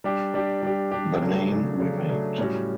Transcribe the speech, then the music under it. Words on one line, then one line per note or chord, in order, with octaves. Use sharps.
The name remained.
G3 D4 G4
G3 D4 G4
G3 D4 G4
G3 D4 G4
C#3 F#3 A3 D4
C#3 F#3 A3 D4
C#3 F#3 A3 D4
C#3 F#3 A3 D4
A2 G3 C#4 F#4